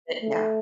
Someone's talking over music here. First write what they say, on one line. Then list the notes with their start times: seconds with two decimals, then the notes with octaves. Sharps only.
but yeah.
0.22 A3